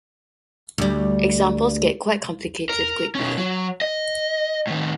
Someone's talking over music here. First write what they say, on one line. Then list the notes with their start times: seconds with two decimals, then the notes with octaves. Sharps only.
Examples get quite complicated quickly.
0.78 D2 G3
2.69 A#4
3.15 B2 C#4
3.37 F#3
3.81 D#5
4.67 A2 D#3